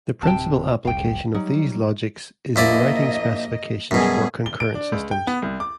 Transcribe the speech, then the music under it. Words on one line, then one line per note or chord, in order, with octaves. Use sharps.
The principal application of these logics is in writing specifications for concurrent systems.
D1 C3 G5 A5
F1 C2 F5 G5
F#3 G3 D#4
A#1 A#3 E4 D5 D#5
F#2 B2 G3 G#4
G7
D7
D4
C#2
G5
B3
C2
D6